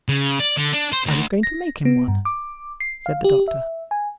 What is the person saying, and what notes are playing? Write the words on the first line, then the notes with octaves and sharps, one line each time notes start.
"I was going to make him one," said the Doctor.
C#3
D5
D3
D4
C5
D2
A#6
B3
G2
D6
C7
F5
G4
E5
G#5